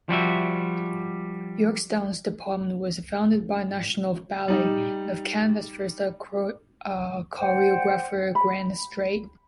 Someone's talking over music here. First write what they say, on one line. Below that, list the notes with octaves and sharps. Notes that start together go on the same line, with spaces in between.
York's Dance department was founded by National Ballet of Canada's first choreographer Grant Strate.
F3 G3 F#4 E5
G3 D#4
C5 D5 F#5 G5
B5